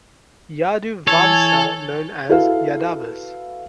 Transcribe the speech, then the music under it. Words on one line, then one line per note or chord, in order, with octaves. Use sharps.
Yadu Vamsa known as Yadavas.
E3 E4 A4 C#5 G#5
E4 F#4 A4 B4 F5